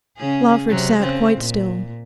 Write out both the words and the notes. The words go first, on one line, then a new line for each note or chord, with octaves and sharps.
Lawford sat quite still.
C#3 C#4 G#4
C3 F#3
C#3 C4
A#2